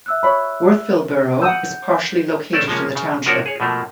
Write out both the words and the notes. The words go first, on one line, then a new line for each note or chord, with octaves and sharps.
Worthville Borough is partially located in the township.
E5 E6 F#6
C#5 B5
F#5 D#6 E6 G6
A3 C4 C#4 A4 D5
F3 G#3 A#3 C#4
C#3
F3 A#3 D4 F#4 A#4 C#5
G#4 C#5
B2 F3 A3 A#3